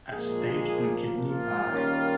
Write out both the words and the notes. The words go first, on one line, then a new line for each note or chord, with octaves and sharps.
A steak-and-kidney pie.
A#2 F3 G#3 A#3 G#4
F4
D#3 G3 A#3 C#4